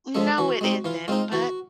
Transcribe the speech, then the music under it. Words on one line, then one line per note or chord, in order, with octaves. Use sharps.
No, it isn't, but
F3 G#3 A4
E3 F#4
G#3 C4 D#4
E3 F4
G#3 C4 D#4 F4
E3 F#4